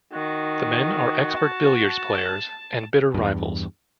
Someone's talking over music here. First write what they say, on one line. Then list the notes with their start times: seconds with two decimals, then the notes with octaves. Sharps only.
The men are expert billiards players and bitter rivals.
0.13 D#3 F#4
1.37 A5
3.14 E2 G2